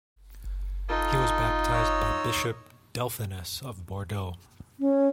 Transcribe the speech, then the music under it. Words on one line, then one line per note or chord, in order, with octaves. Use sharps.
He was baptized by Bishop Delphinus of Bordeaux.
D#4 F4 A4
C#5 D#5 E6
C#4